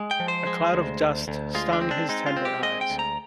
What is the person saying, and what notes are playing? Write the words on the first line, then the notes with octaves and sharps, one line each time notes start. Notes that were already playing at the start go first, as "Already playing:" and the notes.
A cloud of dust stung his tender eyes.
Already playing: G#3
G5
F3
C5
G#3
D2
D2
D2
G#3 F4
D4
C4
D4
G#3 D#4
F4
C4
G4
G#3 D#5
G5
D2
A#5